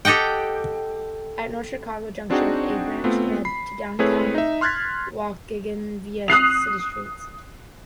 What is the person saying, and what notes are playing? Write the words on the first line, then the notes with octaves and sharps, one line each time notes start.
At North Chicago Junction, a branch led to downtown Waukegan via city streets.
G4 A4 D#5 F#5 G5
C4 D4 D#4 F#4 G#4 G5
A3 B3 C4 F4
B5 C7
A3 C4 E4 G#4 B4 C#5
D#4 E5
C6 F6 F#6 G#6 A6 B6
D#6 F#6 C7 F7